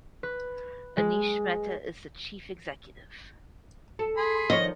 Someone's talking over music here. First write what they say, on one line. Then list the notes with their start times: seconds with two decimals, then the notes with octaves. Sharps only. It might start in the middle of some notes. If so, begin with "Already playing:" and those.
Anish Mehta is the chief executive.
0.23 B4
0.97 G#3
3.99 A4
4.17 G#4 B5 C6
4.50 D#3 F3 C#5 D#5